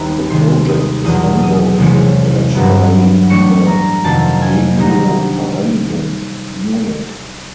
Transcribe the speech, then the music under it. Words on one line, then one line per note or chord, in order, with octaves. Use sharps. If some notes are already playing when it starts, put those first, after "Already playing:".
The project is ongoing and managed by the 'Dehio-Vereinigung', Munich.
Already playing: D#2 D#3 G3 B3 E4 A#5
C3 D#3 G#3 C6
D#6
E2 B2 F#3 D#6
D#6
C2 C3 E3 G#3 C#4
G2 D3 F#3 B3
A2 E3 A3 D4 C#6
A#5
F2 C3 D#3 F#3 A#3 A5
G#5
D3 G3 C4 D#4 A#5